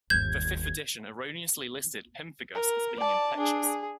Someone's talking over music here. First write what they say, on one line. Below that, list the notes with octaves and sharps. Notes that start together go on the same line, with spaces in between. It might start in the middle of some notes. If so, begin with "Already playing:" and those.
The fifth edition erroneously listed pemphigus as being infectious.
G1 D#2 G6 G#6
A#4
D5 A5
D4 G#4
G#4